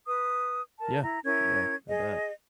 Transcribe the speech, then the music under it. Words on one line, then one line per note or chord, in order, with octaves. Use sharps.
Yeah. Yeah. I bet.
B4 D#6
A#4 A5
E4 A#5
C#4 E4 A#4 G#6
G#4 D#5